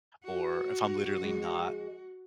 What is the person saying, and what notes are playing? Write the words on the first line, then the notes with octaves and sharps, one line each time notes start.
or if I'm literally not
F#4
F2 G#3